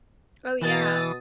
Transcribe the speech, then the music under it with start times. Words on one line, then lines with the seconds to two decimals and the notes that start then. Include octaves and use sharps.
Oh, yeah.
0.62 B2 E3 D#6 A6